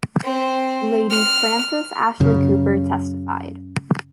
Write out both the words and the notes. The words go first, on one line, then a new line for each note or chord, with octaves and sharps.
Lady Frances Ashley-Cooper testified.
C4 C5
F6
F#2 C#3